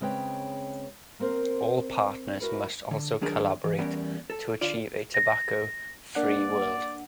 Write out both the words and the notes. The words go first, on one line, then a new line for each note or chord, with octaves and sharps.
All partners must also collaborate to achieve a tobacco-free world.
C#3 G#3 C4 B4 C#5 G5
A#3 C4 A#4 C5
E4 F#4 A#4 B4
D3
D#3 F#3 D4 G#4 A#4
E3
E2 G3 B3 C#4 A#4 D5
A4
D3 F4 D5
A#6
A#3 D4 D5 F#5